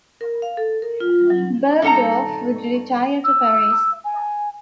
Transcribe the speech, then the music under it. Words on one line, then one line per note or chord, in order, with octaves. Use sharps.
Bergdorf would retire to Paris.
A#4
F5
A4
A#4
F4
F#3
G2 D#4 A4 F#5 A#5
E6
G#5